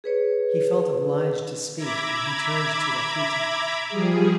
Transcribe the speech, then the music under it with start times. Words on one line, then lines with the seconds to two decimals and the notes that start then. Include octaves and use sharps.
He felt obliged to speak and he turned to Rakitin.
0.04 G#4 B4 C#5
1.76 E5 A#5 B5 D6 G#6
3.88 F3 G3 G#4